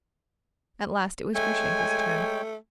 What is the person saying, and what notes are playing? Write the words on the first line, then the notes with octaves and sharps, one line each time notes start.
At last it was Grushenka's turn.
G#3 A3 C#5 G5 G#5